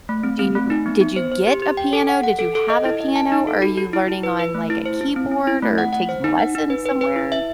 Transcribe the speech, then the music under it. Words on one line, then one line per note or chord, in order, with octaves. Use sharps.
Do you did you get a piano? Did you have a piano? Are you learning on, like, a keyboard or taking lessons somewhere?
A3
C4
C4
A3
D#4
B3
B3
C5
C5
G4
G4
G5
A4
F#5
F#5
A4
A4
D#5
E4
D#5
A5
D#4
A4
F#4
F#4
E4
E4
B4
B4
A3
E4
C5
E4
C4
C4
E4
A3
F#5
F#5
C5
D#4
F#5
D#4
B4
B4
B4
E4
E5